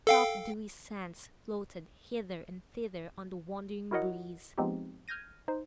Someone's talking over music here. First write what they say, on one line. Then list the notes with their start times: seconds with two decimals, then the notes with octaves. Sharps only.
Soft dewy scents floated hither and thither on the wandering breeze.
0.07 A4 F5 G5
3.91 E4 F#4 A#4 C#5 D#5 F#5
4.58 F3 G#3 B3 C4 D#4 G4
5.08 F6 G6 G#6 A#6 D#7
5.48 D#4 C5